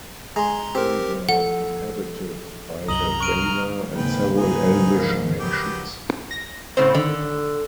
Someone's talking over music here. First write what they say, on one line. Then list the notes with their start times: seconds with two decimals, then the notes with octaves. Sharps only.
They were inhabited by the Valar and several elvish nations.
0.36 G#3 A#5 C6
0.75 C4 G4 A#4
1.29 F3 A4 F#5
2.89 C2 F#2 D#5 A#5 D#6 F#7 G7
3.21 C#6 F6 D7 D#7
3.96 D#2 G#2 C#3 A#3 C4 B4 G5
4.37 D#4 B4 G#5
4.95 F3 G#3 A#4
5.40 F#3 B3 G4
6.31 A#6
6.77 A2 C#3 C4 C5
6.95 D3 D#3